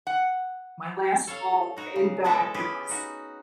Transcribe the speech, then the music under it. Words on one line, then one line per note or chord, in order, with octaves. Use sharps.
my last bowl came back, it was
F#5
A4 C#5 F5
D#4 F#4 C#5
C#3
G#3 B3 E4 F#4 A4 E5
C#4 E4 G4 G#4 B4
D#4 F#4